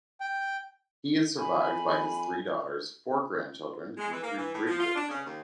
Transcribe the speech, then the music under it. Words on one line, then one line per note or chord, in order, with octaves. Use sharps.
He is survived by his three daughters, four grandchildren, and three great-grandchildren.
G5
F2 G#5 B5
G#3
E3
A#3
E3
A2
F3
F4
D4
C#3
D#2